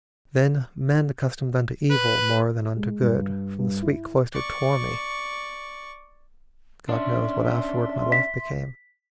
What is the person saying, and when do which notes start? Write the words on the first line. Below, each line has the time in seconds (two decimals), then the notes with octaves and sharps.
Then men accustomed unto evil more Than unto good, from the sweet cloister tore me; God knows what afterward my life became.
1.90 B4
2.77 G#3
3.00 G2
3.59 G2
3.83 E4
4.33 D5 C#6
6.89 C#4 D4 E5 C6
8.12 B6